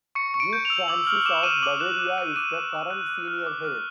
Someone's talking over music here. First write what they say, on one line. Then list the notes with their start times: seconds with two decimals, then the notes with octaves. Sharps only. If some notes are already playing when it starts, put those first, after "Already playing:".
Duke Francis of Bavaria is the current senior heir.
0.15 C#6 C#7
0.34 C#6
0.40 D7
0.53 G6
0.65 F7
0.70 E6
0.88 D6 F#7
1.07 F6 F#7
1.25 D6 E7
1.43 F6 D#7
1.62 D6 F#7
1.80 F#6 E7
1.99 D6
2.18 F#6 D#7
2.36 D6 D#7
2.54 F#6
2.72 D6
2.90 F#6
3.10 D6
3.28 F6
3.46 D6
3.65 F6